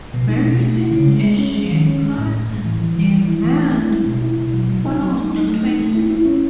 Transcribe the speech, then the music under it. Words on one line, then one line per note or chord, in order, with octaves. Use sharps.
Many East Asian currencies devalued following the crisis.
B2
D#4
B2
A3
E4
C#3
G#3
G#3
C#4
G#3
D#3
C#4
G#3
A2
A2
A2
E3
E3
E3
E3
E4
E3
A3
E4
G#3
B2
E4
B2
F#3
F#3
D#4
F#3
D#4
D#4
A3
D#4
A3
E4
E4
C#4